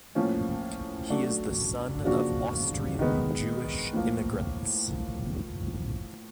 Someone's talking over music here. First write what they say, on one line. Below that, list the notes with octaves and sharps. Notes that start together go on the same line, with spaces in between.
He is the son of Austrian Jewish immigrants.
A2 F3 A#3 C#4
F#3 A3 D4 F#4
C#3 F3 A#3 D4 F#4
D#3 G#3 B3
A2 F3 A#3